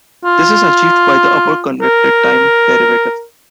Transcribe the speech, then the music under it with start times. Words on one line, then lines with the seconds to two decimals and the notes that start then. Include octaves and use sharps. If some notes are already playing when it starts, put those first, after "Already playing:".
This is achieved by the upper convected time derivative.
0.25 F4
1.82 A#4